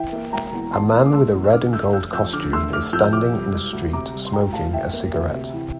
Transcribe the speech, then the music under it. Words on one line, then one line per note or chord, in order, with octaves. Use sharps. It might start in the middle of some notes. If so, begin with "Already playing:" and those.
A man with a red and gold costume is standing in a street smoking a cigarette.
Already playing: E3 E5 G5
A#3
E1 G5 A#5
E2
E3 A5 C6
A#3
D6
E1 C6 E6
E2
E6
D3 D6 F6
A3 E6 G6
F1 E6 G6
F2 E6 G6
D3 D6 F6
A3 C6 E6
F1 D6 F6
F2 E6 G6
G6
C3 D6 F6
G3
E1
D2
C3 A#5 D6
G3
C6
E1 G5 A#5
D2 F5 A5
E3 E5 G5
A#3
D2
C3
E3